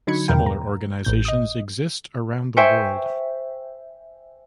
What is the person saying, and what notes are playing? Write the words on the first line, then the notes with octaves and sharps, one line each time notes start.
Similar organizations exist around the world.
D3 F#3 D#4 B5 G#6 C#7
E2 B2 A#4 F5 G5
A#5
A1 A2 G6
D#5 D#6
C5 E5 G5 G#5 C#6